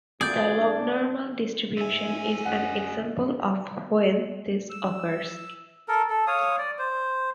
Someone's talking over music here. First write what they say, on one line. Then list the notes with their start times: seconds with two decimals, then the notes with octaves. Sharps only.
The lognormal distribution is an example of when this occurs.
0.21 D2 A#2 G#4 D5 G6
0.58 C2 D4
1.77 D2 G#2 E5 G#5
2.46 F#2 D#5 F#5
4.70 E6
5.88 A4 A#4
6.10 A4
6.27 C#5 F5 D#6
6.58 D5
6.78 C5